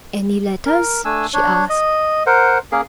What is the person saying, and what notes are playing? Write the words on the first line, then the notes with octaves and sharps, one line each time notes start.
"Any letters?" she asked.
A#4
A3 D4 G#5 E6
D4 C#5
D#5
A#4 C5 F#5
A#3 C#4 G#4 A#4